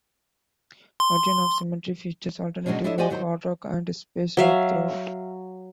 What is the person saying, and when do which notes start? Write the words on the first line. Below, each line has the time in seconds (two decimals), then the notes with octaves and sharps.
"Origin of Symmetry" features alternative rock, hard rock, and space rock throughout.
1.00 C6
2.66 B2 F#3 G#3 C#4 D4
2.84 D4 E4 A4 C#5 D#5 E5
2.98 F#4 G4 C5 D5 D#5 G#5
3.10 E2 D#3 F#3 F#4 C5
4.37 F#3 E5 F5